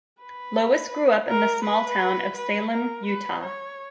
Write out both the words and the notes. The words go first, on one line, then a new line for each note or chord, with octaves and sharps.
Lois grew up in the small town of Salem, Utah.
B4
A#4
B4
B4
A#4
B4
C#5